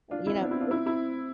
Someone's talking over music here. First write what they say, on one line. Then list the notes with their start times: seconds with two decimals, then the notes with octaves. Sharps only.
you know, we
0.11 D4 F4
0.26 C4 E4
0.41 B3 D4
0.51 C4 E4
0.61 D4 F4
0.71 C4 E4
0.86 C4 E4